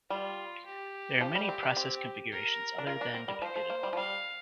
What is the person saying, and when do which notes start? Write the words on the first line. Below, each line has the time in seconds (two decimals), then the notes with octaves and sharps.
There are many process configurations other than that depicted above.
0.10 G3 F4
0.66 G4
1.21 F3
1.35 G3
1.49 C4
1.63 D4
1.76 C4
2.31 A#4
2.78 D4
2.87 F4 A#4
3.01 D4
3.14 C4
3.28 G3
3.42 F3 C5
3.56 F3
3.70 A#3
3.83 G3
3.93 F3
3.97 G3 F5